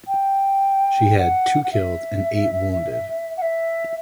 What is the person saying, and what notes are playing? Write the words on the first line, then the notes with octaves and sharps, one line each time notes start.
She had two killed and eight wounded.
G5
F#5
F#5
E5
F#5
E5